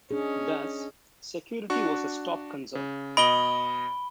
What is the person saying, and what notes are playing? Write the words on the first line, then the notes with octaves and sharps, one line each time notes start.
Thus, security was his top concern.
C#4 D4 G#4 D#5
D4 F#4 C#6
C#3
B2 D#5 B5 D7 G7